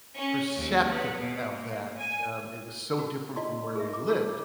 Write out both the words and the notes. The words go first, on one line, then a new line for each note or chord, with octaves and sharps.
perceptive of that, um, it was so different from where we lived,
C#4
D#2
B3
B2
A#3
G#5
D4 F#4
D#4 F4 D5 D#5 A5 C6
G#4 A#4 E5
D6
D#4 F4 F#4 D6 E6